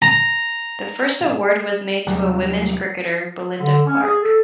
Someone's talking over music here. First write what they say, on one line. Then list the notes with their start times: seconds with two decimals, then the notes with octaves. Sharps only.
The first award was made to a women's cricketer, Belinda Clark.
0.02 A#5
2.07 D#2 C3 F#3 G3
3.60 D3
3.86 C#4
4.03 G#4
4.21 A4